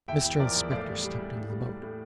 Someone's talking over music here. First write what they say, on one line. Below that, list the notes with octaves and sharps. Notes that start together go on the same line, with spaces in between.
Mr Inspector stepped into the boat.
E2 E5 G5
E2
F3 A#4 D5
E2
A2 D5 F5
G3
G3
G3
A2
G3
G3
A2